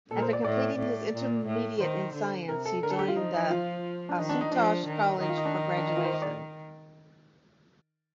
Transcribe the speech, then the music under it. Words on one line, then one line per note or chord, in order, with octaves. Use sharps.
After completing his intermediate in science, he joined the Asutosh College for graduation.
A#2 A4
A#4
C5
D5
A2 D5
A2
A#2
A2
D#3 C5
D3
C3 A#4
A4
D3 A#4
A4
G4
F4
F3 D#4
D#4
F4
D4
D#3 D#4
D4
D#4
F3 D4
D#3
D#3 D#4
F4
D#4
D4
D#4
D#4
D4
D#4
F4
C5
D#5
D5